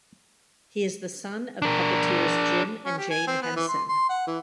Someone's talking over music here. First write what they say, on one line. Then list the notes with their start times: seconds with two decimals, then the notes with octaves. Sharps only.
He is the son of puppeteers Jim and Jane Henson.
1.62 D4 A#4
2.84 C#4
2.98 G4
3.10 G#5
3.27 C4
3.42 B3
3.56 E3
3.68 C6
3.88 C6
4.09 F#5
4.27 E3